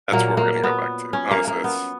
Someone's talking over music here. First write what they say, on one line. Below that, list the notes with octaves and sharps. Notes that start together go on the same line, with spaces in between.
That's where we're gonna go back to, honestly, that's
A#2 F#3 A#3
A#3
B3
C#4
A#3
A#3
B3